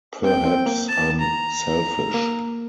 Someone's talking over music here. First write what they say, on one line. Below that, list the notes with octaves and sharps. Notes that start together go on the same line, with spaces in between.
Perhaps I’m selfish.
C4 G5
C4
A#3
A5
A#5
A#3